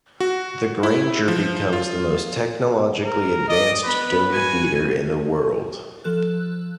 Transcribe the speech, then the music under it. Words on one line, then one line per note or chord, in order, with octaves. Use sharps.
The Grainger becomes the most technologically advanced dome theater in the world.
F#4
E4
F3
F4
A#4
D5 D#5
B3 B4 B5
F#4 G#5
F3 A4 F#6